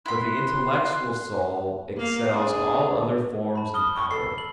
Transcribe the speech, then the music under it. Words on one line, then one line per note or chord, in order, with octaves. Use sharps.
But the intellectual soul excels all other forms in power.
E4 B5 C6 F#6
A#3 F5
D4 G#4
A5 B5
D#6 F6 G7
C#6
A4 C7
F#7